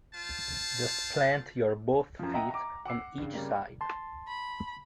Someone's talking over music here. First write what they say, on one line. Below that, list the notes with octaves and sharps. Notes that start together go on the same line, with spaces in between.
Just plant your both feet on each side.
F4 C5 A5
F#2 F3
D#5 E5 F#5 G5 A#5
A#5 D6
F#5 D6 E6 C7
G2 C#3
C#3 G3 A#3
A5 C6
B5